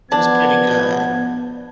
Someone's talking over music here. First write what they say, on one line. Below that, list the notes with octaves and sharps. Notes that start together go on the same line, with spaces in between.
It was pretty good.
F3 B3 D4 G#6